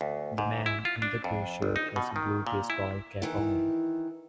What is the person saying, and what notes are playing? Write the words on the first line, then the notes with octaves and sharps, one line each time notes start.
The man in the gray shirt has a blue baseball cap on.
D2
G#2
E4
F4
D4
F2
G1
D#4
B2
D#3
A#2
E4
D#3 E3